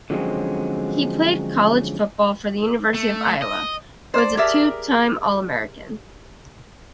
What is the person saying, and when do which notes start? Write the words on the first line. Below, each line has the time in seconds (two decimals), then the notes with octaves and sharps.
He played college football for the University of Iowa, and was a two-time All-American.
0.10 D3 F3 F#3 G#3 C4 C#4
2.94 A3
3.42 D#5
4.14 C5 D5
4.37 G4 G#4 A#4 D5 E5